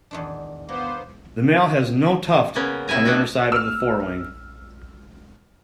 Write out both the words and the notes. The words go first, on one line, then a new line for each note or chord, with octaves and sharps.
The male has no tuft on the underside of the forewing.
E2 D#3 D4
A#3 B3 C5 D6
C#3 A#3 B3 C#4
C3 E4 E5 G#5 A#5
B3 D4 F#4
E6 F6